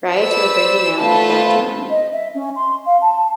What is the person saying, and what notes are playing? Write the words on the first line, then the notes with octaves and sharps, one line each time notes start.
Riots were breaking out at that time.
B4 C5 D5 E6
A3 B3 F4 B4 C5 A5
D#5
E5
C#4
C6
F5
A5